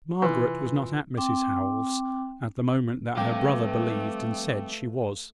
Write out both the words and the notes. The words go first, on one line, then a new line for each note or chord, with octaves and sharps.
Margaret was not at Mrs Howell's at the moment that her brother believed and said she was.
C3 E3 F4 B4 C6
C4 G5 D6
F3 G3 A3 C4 B4 F5 G5 D6